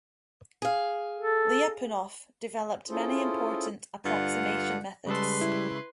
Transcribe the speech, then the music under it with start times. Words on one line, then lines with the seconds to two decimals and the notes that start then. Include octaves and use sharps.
Lyapunov developed many important approximation methods.
0.62 G#4 F5
1.18 A4
2.89 C#4 E4 F4 G#4 A4 C5
4.05 G2 D3 F4 F#5
5.06 C#3 G3 G#3 A4 B4 C6
5.41 E4